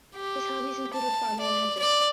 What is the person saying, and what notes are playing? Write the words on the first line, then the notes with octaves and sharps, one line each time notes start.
His hobbies included farming and hunting.
G4
A5
D5
D5